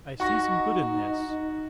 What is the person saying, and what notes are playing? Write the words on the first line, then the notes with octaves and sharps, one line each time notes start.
I see some good in this.
D#4 F#4 C#6 A#6